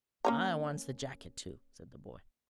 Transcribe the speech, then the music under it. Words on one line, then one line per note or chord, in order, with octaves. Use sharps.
"I wants the jacket too," said the boy.
A#3 C#4 A#5